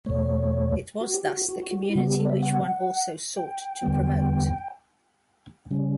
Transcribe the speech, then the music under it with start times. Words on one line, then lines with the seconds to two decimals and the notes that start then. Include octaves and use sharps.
It was thus the community which one also sought to promote.
0.06 E2 B2 A3 C#5
1.01 F#4
1.14 G4
1.27 F#4
1.48 F#4
1.60 F#4
1.71 F#4
1.83 G4
1.89 E4
1.95 C#3 G3 B3 F#4
2.07 G4
2.19 A4
2.25 D5
2.30 E5
2.42 F#5
3.36 G5
3.83 E2 D3 G3 B3
5.71 C#3 G3 C#4